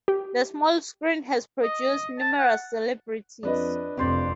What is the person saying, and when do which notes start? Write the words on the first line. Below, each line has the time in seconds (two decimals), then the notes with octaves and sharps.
The small screen has produced numerous celebrities.
0.08 G4
1.63 D#5
2.20 A5
2.39 F#5
3.43 F2 D4 B4 D#5
3.97 F1 F2 C3 G4 C5 D5